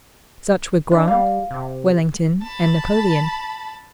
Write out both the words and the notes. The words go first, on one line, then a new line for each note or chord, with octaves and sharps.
Such were Grant, Wellington, and Napoleon.
D4 D#5
G3 F5
C3
A5 B5